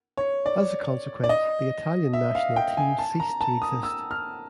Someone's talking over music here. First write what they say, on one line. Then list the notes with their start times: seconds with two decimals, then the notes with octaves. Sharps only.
As a consequence the Italian national team ceased to exist.
0.17 C#5
0.46 D5
1.24 D5
1.29 D#5
2.13 E5
2.35 F5
2.56 G5
2.77 G#5
2.99 A5
3.20 A#5
3.41 A5
3.62 D#6
3.83 E6
4.11 F6